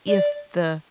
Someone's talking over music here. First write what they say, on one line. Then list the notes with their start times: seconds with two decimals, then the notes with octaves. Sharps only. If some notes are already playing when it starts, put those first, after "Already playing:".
If the
0.08 D5